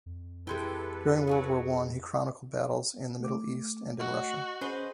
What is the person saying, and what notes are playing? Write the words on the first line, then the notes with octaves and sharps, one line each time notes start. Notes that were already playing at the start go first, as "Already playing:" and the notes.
During World War One he chronicled battles in the Middle East and in Russia.
F2
E3 G#3 E4 G4 A4 B4 G5
F#3 F#4 G#4
A3 D6
F#4 D#5
C#4 G#4 B4 C5